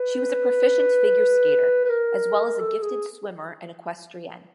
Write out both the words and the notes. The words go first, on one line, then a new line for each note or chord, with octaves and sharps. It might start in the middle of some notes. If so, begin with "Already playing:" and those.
She was a proficient figure skater, as well as a gifted swimmer and equestrienne.
Already playing: B4
B4
A#4
A4
G#4